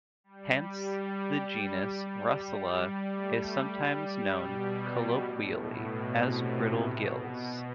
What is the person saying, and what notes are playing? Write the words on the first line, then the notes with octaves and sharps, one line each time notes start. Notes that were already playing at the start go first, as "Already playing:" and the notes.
Hence the genus "Russula" is sometimes known colloquially as "brittle gills".
G3
G3
G3
G3
A3
G3
B2
A2
B2
C3
B2
B2